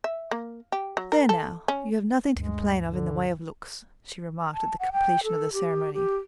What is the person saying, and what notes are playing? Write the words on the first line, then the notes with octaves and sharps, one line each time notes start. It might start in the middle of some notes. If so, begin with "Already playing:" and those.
"There now, you have nothing to complain of in the way of looks," she remarked at the completion of the ceremony.
E5
A#3
G4
F#3
A#4
A4
C#4
D2 G2 G#3
D3
A5
F#5
G5
A4
G4
G4